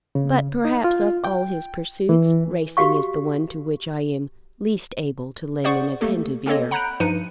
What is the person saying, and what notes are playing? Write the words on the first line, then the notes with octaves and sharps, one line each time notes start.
But perhaps of all his pursuits racing is the one to which I am least able to lend an attentive ear.
C#3
D#4
F4
G5
E3
F#4 G4 F5 C#6
G#4 C5 D5 F#5 C#6
A3 A#3 G4 A4
A#3 C4 A4 C#5 D#5
F#5 A#5 B5 F#6 G6 D7
G2 F3 D#4 B4 C#7 D#7